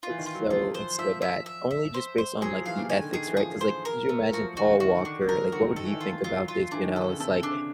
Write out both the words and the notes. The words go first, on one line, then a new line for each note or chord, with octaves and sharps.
It's so it's so bad, only just based on, like, the ethics, right? 'Cause, like, could you imagine Paul Walker, like, what would he think about this, you know? It's like,
F4
E3
D#3
F4
F#3
F3 F4
C5
F3 E5
E5
E5
E5
C5
C5
F#3 G#4
F3
E3 F5
A#2
D#3 G#5
D3
D#3 G#4
E3
F3 G#4
C5
A#4
A3
F3 F#4
D#3 F#4
D3
D#3 F#4
D3
D#3 D4
F#3
F3 A#4
D3 F#4
D#3
D#3 A4
E3
D#3
F4
F#3 F4
F4
E3 D4
D#3
D3 A4
C#3
C3 A4
D4